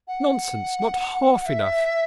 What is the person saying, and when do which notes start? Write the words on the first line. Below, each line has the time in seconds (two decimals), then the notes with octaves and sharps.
'Nonsense! not half enough.'
0.08 F#5
1.46 E5